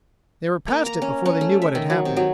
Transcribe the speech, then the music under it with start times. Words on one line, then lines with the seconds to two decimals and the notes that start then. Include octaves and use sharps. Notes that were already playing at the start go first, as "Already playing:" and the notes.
They were past it before they knew what had happened.
0.68 A#3
0.86 A#5
1.02 C#4
1.26 C#4
1.41 A3
1.62 E5
1.75 D#3
1.90 F#3
2.05 C3
2.17 F#3